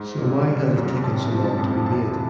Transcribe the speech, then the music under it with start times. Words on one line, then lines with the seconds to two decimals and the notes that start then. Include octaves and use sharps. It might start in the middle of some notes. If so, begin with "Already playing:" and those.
So why has it taken so long to be made?
Already playing: G#2
0.22 D3
0.49 G3
0.76 F#2
1.04 C3 A5
1.31 F3
1.44 A5
1.59 F2
1.86 C3 A5
2.13 E3